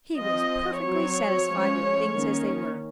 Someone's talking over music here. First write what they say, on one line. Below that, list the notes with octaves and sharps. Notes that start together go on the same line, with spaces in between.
He was perfectly satisfied with things as they were.
F3 C4 D#5
F#3 C4 C#5
F3 G#3 C#4
D#3 A#3 C#4